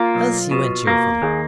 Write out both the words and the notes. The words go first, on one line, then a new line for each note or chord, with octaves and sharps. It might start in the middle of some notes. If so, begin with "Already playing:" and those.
Elsie went cheerfully.
Already playing: A#3 F4
B1
B2
A#3
D#2 G#4